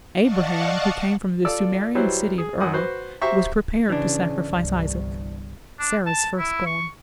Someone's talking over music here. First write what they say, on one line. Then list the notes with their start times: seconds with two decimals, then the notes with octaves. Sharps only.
Abraham, who came from the Sumerian city of Ur, was prepared to sacrifice Isaac, Sarah's first-born.
0.19 D5 D#5 F5 F#5 A5 C#6
1.45 F4 A4 D5 E6
1.95 F#3 G3 E4 B4 C5
2.38 G#4
2.60 F#2 F#5 D#6
2.73 F#4 B4 C5
3.22 F#4 G4 C5 E5 A#5 C#6
3.89 C#3 E3 D4
4.49 G1 C2
5.79 D4
6.06 A5
6.38 E4
6.66 C#6